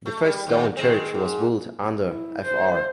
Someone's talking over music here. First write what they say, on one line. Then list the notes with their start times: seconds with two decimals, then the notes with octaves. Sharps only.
The first stone church was built under Fr.
0.06 A3
0.25 G3
0.47 D#2 G#2
0.77 D#3 G#3 C4
1.14 G#2
2.08 E4
2.42 C5